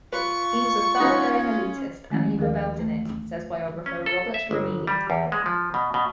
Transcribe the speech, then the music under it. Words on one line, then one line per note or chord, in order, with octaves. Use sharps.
"He was a thoroughgoing elitist, and he reveled in it," says biographer Robert Remini.
F4 B4 C#6
C#4 D#4 B4 F#5
D#3 F3 G#3 A3 C#4 E4
D#2 D#3 F3 G#4 A#4 F5
E3 A3
C#4
A4
E5
G1
G3
E2
G#3
F3
B2
B2